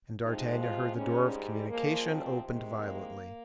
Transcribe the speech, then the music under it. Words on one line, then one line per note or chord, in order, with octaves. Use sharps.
And d'Artagnan heard the door of communication opened violently.
C3 F3 G#3 D#4
F4
G#2 G3 C#4
A#2 F3 G#3 A#3
C4
C3 D#3 G#3
A#3